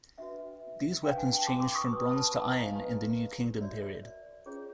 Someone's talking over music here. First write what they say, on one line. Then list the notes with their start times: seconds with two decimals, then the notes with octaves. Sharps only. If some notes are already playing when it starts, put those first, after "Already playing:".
These weapons changed from bronze to iron in the New Kingdom period.
0.18 D4 F#4 B4 E5 F#5
1.03 D4 G4 B4 F5 G5
1.18 F#5 G#5
1.32 G5 A5
1.47 C6 D6
1.60 C6 D6
1.75 C#6 D#6
1.89 F#4 B4
2.11 A5 B5
2.32 A5 B5
2.46 G#5 A#5
2.61 D#5 F5
2.75 D#4 G4 B4
3.60 F#4 A#4 C#5 D5 E5
4.03 D5
4.46 C#4 F4 G#4 C#5